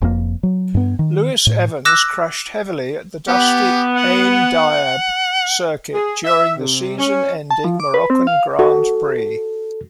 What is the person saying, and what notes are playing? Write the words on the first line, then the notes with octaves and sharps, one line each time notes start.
Lewis-Evans crashed heavily at the dusty Ain-Diab circuit during the season-ending Moroccan Grand Prix.
F1 F2 G#2 A#3
F#3
G2 B3
D#3
A2
D6 E6 F#6 A#6 E7
B3 G4
F#5
G#4
E5
C3
C#4
A5
F3
D6
B4
C4
F5
F#4 A4